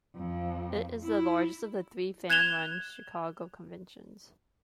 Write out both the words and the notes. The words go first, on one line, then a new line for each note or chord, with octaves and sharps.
It is the largest of the three fan-run Chicago conventions.
F2
E4
F#6 G#6 E7 F7 G7